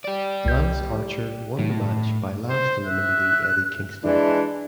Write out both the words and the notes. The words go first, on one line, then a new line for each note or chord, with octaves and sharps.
Lance Archer won the match by last eliminating Eddie Kingston.
G4 D5
C2 G6
A2 F#3
C5
E5 F#6
E3 G#3 D4